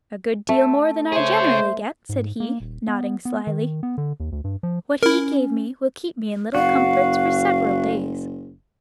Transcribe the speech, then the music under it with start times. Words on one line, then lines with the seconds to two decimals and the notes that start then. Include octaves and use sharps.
"A good deal more than I generally get," said he, nodding slyly; "what he gave me will keep me in little comforts for several days."
0.49 A3
1.12 G#4 C5 C#5 E5
2.09 G#2
2.40 A#3
2.60 D#1
2.88 B3
3.25 B3
3.47 D#3
3.83 B3
3.98 D3
4.20 D#2
4.32 D2
4.44 G2
4.63 F3
5.03 C#4 E4 A#4
6.55 F#1 F#4 F5